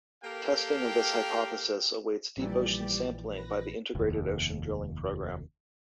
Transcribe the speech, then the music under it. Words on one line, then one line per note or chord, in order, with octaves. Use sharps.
Testing of this hypothesis awaits deep ocean sampling by the Integrated Ocean Drilling Program.
A#3 G4 A4 A#4 F5 G5
A#1 A#2 E3 G3 G4 D5
B4 A#6
F1 D#2